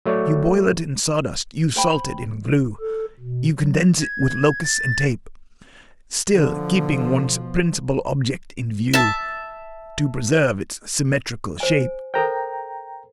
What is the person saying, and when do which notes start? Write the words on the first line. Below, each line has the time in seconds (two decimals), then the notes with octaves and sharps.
"You boil it in sawdust: you salt it in glue: You condense it with locusts and tape: Still keeping one principal object in view-- To preserve its symmetrical shape."
0.05 F#3 A3 C#5 D5
1.76 C5 G5 B5
2.80 A4
3.20 B2
3.57 F#3
4.00 G#6
4.63 A6
6.34 B2 D3 F3
8.94 E5 A5
11.60 C5 G#5
12.14 A4 A#4 C5 G5 A#5